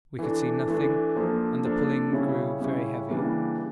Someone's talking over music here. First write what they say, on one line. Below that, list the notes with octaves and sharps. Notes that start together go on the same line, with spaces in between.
We could see nothing, and the pulling grew very heavy.
E3 A3 D4
E3 A3 D4
F3 A#3 D4 A4
F3 A#3 D4 A4
C#3 G3 C#4 E4
C#3 G3 C#4 E4
C#3 E3 G3 A#3 D4